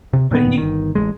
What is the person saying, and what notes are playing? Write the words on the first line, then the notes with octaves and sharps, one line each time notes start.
But he
C3
A#2 D#3 A3 B3
G1 D#3
A1 G#3